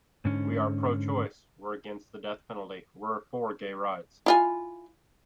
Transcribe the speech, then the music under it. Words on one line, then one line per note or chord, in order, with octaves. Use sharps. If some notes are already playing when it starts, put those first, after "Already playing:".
We are pro-choice; we're against the death penalty; we're for gay rights.
G#2 D3 C#4
E4 F4 G#5